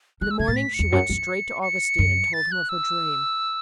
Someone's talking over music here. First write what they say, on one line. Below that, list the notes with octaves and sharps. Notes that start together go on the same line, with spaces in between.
In the morning she went straight to Augustine and told him of her dream.
D#3 F#6
E6
C#3 G#6
A2 A6
B6
C#7
E2
F#2
F#2
C#7
F#2
A6
F#6
E6